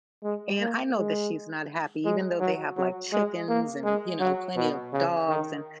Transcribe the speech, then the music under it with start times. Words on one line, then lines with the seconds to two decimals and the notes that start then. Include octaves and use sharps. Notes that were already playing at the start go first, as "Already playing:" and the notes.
and I know that she's not happy even though they have, like, chickens, and, you know, plenty of dogs, and
0.24 G#3
0.60 A#3
0.97 G#3
2.05 G#3
2.40 F#3
2.77 F#3
3.12 G#3
3.49 A#3
3.84 G#3
4.20 F#3
4.56 B2
4.93 C#3
5.29 D#3